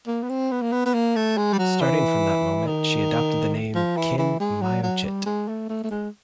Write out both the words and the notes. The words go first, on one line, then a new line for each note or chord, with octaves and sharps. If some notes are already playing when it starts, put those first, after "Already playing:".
Starting from that moment, she adopted the name, Khin Myo Chit.
A#3
B3
C4
B3
A#3
B3
B3
A#3
A3
G#3
G3
F#3
E3
D#3
F3
E3
E3
G#3
F#3
F#3
G3
G#3
A3
A3
A3
G#3